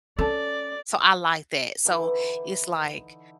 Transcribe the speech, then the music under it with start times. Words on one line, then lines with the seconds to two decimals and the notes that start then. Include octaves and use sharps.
so I like that. So it's like
0.19 C#4 A4 D5 A5
1.85 D3 E3 D#4